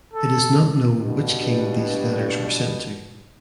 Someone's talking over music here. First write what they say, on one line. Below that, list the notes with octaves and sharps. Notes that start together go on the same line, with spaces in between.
It is not known which king these letters were sent to.
A4
G2 B2